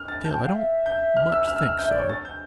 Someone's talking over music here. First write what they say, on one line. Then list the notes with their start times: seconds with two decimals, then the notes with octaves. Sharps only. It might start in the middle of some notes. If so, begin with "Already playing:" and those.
Still, I don't much think so.
Already playing: F6
0.08 A6
0.24 A5 G6
0.34 G5
0.45 F5
0.55 E5
0.86 G6
1.17 F6
1.32 E6
1.48 F6
1.56 E6
1.63 F6
1.79 E5 G6
1.89 D5
1.99 C#5
2.09 A6
2.25 G6